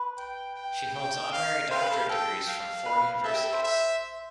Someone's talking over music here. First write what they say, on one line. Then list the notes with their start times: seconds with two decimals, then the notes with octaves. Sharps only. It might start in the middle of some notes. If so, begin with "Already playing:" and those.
She holds honorary Doctorate degrees from four universities.
Already playing: B4
0.18 G5
0.56 G5
0.94 G5
1.33 F5
1.71 C5 F5
1.81 B4
1.90 A4
2.00 G4
2.09 A4 G5
2.48 F5
2.86 B4
3.24 A4 E5
3.34 G4
3.43 A4
3.53 C5
3.63 E5